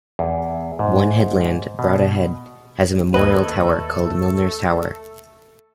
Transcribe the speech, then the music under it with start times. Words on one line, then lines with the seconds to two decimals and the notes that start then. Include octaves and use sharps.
One headland, Bradda Head, has a memorial tower called Milner's Tower.
0.19 E2
0.79 G#2
1.79 B2
3.14 D#2 A3 A4 B4 D#5 G#6